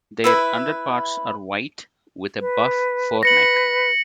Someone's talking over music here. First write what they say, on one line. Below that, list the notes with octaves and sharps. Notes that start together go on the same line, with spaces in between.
Their underparts are white, with a buff foreneck.
E4 B4 E5
B4
B4 A#6 C#7 F#7